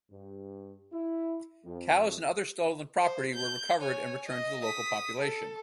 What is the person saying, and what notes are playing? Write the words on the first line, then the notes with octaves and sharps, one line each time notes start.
Cows and other stolen property were recovered and returned to the local population.
G2
E4
F2
C5
G6
C#5 G#5
D#5
D#6 B6
A4